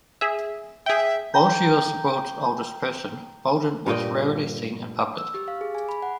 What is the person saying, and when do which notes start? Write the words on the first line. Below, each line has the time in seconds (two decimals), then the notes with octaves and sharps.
While she was the world's oldest person Bolden was rarely seen in public.
0.21 G#4 E5
0.86 G#4 E5 G5
1.34 G5 A#5 G6
3.86 G2 A#2 D#5 G5
5.18 E6
5.34 G4
5.48 F5
5.61 G#4
5.75 G#5
5.89 B5
6.03 F#5